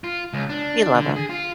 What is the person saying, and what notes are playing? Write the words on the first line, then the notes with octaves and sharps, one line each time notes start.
We love 'em.
F4
C#2
D4
D3
G#4
F4